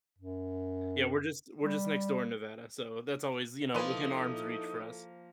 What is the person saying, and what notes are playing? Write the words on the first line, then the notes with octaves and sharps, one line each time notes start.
Yeah, we're just we're just next door in Nevada, so that's always, you know, within arm's reach for us.
F#2
G3
F3 A#3 D#4 E4 A4 B4 C6